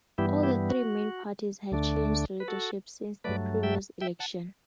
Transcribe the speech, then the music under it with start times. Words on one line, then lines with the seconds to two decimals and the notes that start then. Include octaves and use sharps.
All the three main parties had changed leadership since the previous election.
0.18 G2 E3 G3 B3 E4 G4
0.43 E4 G4
0.70 F#4
1.72 D2 D3 A3 D4
2.40 B4
2.48 F#4 A4
3.24 G2 F#3 A3 B4 D5
3.63 E5 G5
4.01 E5 G5
4.20 F#5 A5